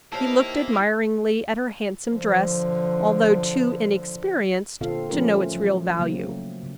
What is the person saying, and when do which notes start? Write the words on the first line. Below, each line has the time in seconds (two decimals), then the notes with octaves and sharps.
He looked admiringly at her handsome dress, although too inexperienced to know its real value.
0.12 D#3 A#3 E4 G4 C5 C#5 F5 A5
2.13 D3 F3
4.81 A#2 D3 C4 F4 A4 F5
5.10 F3 A3 C#4 F4 A#4
5.55 F#3
5.99 C#3 F#3 A3 A#3 C4
6.63 C#3